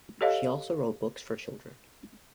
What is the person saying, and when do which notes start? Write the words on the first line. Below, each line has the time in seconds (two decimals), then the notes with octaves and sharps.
She also wrote books for children.
0.21 G4 A4 C#5 D#5 F5